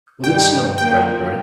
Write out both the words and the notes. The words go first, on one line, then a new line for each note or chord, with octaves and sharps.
Will it snow in Granbury?
G2 D#3 G3 G5
D3 F3 A#3 G5